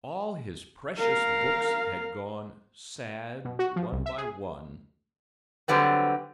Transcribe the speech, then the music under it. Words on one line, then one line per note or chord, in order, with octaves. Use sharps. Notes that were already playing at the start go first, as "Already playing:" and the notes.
All his precious books had gone, sad one by one.
A#4 F5
B2
F#4
F3
C2
E5
G#4
D3 F#3 G3 B3 C4